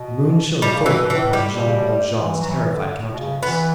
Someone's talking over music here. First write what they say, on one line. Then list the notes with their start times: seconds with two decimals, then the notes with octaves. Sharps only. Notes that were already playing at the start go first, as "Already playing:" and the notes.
The moon shone full upon Jean Valjean's terrified countenance.
Already playing: B2
0.62 B2 G3
0.73 C#3
0.84 B2 E3
1.10 A2 E3
1.33 G3
1.56 B2
1.65 C#3
1.72 B2
2.19 E3
2.41 F#3
2.49 E3
2.73 D3
3.13 B2
3.19 C#3
3.43 E3 B3